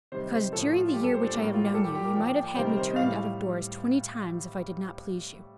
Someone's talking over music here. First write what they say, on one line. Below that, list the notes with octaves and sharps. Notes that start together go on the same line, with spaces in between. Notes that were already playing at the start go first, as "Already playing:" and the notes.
"Because during the year which I have known you, you might have had me turned out of doors twenty times if I did not please you."
C3 D#3 G3 C5
C5
A2 F3 A4
F4
F4
A#2 G3 G4
A4
C5
D4
A2 G3 A#3
A#3
F4
G4
A#2 G3 A4
G4
G4
A#4
A#2 F3 G5
G5
C3 D#3 G3 C5
A#4
C5
D#5
A2 G3 F5